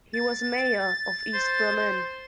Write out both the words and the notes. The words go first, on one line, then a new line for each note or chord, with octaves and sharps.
He was Mayor of East Berlin.
A6
C5